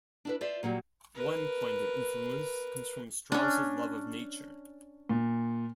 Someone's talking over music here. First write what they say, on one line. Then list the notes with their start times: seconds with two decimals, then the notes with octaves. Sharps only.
One point of influence comes from Strauss's love of nature.
0.25 D4 E4 B4
0.41 F4 C5 D5 E5
0.63 A#2 F#3 G3 G4
1.15 A#4 B4
3.32 C#4 D4
5.09 A#2